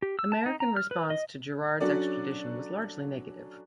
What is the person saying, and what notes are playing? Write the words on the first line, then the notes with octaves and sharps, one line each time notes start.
American response to Girard's extradition was largely negative.
G4
E6
A5
D#4
A#5
F6
B4
D#5
F#3 C#4 D4 F#4 A4 D5